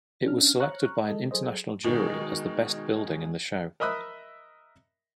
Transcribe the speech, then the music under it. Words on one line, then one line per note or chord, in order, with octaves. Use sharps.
It was selected by an International jury as the best building in the show.
C#4 D4 F6
C5 C#5 A#5 C#6 F6 F#6
G#3 A4 D#5
F#3 G#4 A4 C5 D#5
B2 D#3 G#3
A#4 D#5 E5 B5 D#6 F#6